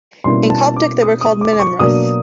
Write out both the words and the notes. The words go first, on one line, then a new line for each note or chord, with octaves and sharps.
In Coptic, they were called "Minamref".
B2 G3 A#3 C#4 E4 C6
A5
D6
D#6
D#6
D6
D6
C#6
B2 F#3 A#3 D4 D#6